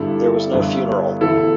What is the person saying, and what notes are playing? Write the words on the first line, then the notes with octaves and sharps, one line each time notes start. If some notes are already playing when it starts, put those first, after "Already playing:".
There was no funeral.
Already playing: G1 G2 D3 E4 A4
G1 G2 D3
E1 D2 D3 E4 A4